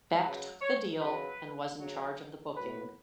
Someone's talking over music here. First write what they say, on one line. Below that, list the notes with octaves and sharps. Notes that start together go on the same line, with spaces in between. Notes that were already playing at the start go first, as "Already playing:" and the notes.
Beck took the deal, and was in charge of the booking.
C#3 F#3 B4
C#5
C#3 F#3 B4
C#3 F#3
A2 F#3 B4